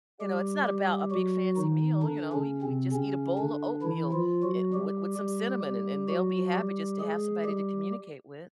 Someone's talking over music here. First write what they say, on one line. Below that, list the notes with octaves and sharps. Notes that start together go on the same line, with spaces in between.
you know, it's not about a big fancy meal, you know, e we just eat a bowl of oatmeal, eh, with with some cinnamon and and they'll be happy just to have somebody to communicate with.
G3 G4
G3 G4
F#3 F#4
D#3 D#4
D3 D4
C#3 C#4
C3 C4
C#3 C#4
D3 D4
E3 E4
F3 F4
F#3 F#4
G3 G4
G3 G4
G3 G4
F#3 F#4
G3 G4
G#3 G#4
G3 G4